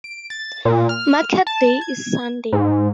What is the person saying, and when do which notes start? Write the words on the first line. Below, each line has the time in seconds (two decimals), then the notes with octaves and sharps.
Market day is Sunday.
0.04 D7
0.30 A6
0.65 A#2
0.89 F6
1.47 A5
1.81 G#6
2.53 G#2